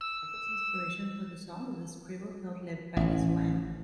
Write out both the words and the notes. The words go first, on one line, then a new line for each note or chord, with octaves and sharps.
Michael's inspiration for the song was a scribbled note left by his Wham!
E6
A1